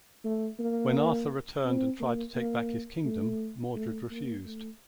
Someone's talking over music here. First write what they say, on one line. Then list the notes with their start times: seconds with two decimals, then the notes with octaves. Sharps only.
When Arthur returned and tried to take back his kingdom, Mordred refused.
0.24 A3
0.59 A#3
1.65 C4
2.00 A#3
2.35 A#3
3.05 A3
3.75 A3
4.10 A#3
4.45 A3